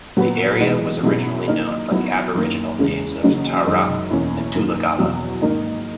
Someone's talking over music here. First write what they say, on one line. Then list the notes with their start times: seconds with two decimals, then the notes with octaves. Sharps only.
The area was originally known by the Aboriginal names of Tar-ra and Tullagalla.
0.17 A#2 F#3 B3 F#4 B4
0.60 E3 G#3 B3 D#4
1.03 B2 F#3 C#4 E4 G#4
1.47 D#3 A#3 D#4 A#4
1.91 F#3 B3 E4
2.35 F#2 D#3 A#3
2.79 E2 C#3 G#3
3.23 C#3 F#3 A#3 D#4
3.66 F#2 D#3 G#3 D#4
4.10 E2 B2 A#3 C#4 E4
4.55 F#2 D#3 A#3
4.98 E2 B2 F#3
5.42 G#2 D#3 A#3 D#4 A#4